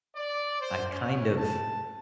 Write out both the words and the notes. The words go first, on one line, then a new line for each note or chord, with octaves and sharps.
I kind of
D5
C5
C#4
A5